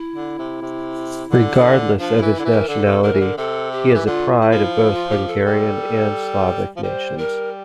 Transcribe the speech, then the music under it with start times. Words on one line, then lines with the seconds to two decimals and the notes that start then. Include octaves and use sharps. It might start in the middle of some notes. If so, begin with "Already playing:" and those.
Regardless of his nationality, he is a pride of both Hungarian and Slovak nations.
Already playing: E4
0.15 D3
0.38 C3
0.62 C3
1.31 D3
1.99 F3 D4
2.16 E4
2.22 E3
2.34 E4
2.39 D3
2.45 E3
2.51 A#4
2.68 D3 A4
2.86 C3
3.02 D3 A#4
3.13 E3
3.20 D3
3.37 C3 A4
3.72 G4
3.94 E3
4.06 D3 F4
4.41 E4
4.52 F3
4.75 E4
4.93 F4
5.10 G4
5.27 A4
5.45 G3
6.77 F3
6.83 G3 C5
7.18 A#4